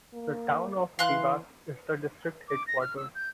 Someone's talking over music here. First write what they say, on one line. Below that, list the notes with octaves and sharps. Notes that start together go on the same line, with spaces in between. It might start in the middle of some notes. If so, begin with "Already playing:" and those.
The town of Dewas is the district headquarters.
A#3
E3 F5 C6 F#6
D6
A#6
F6
E6
G6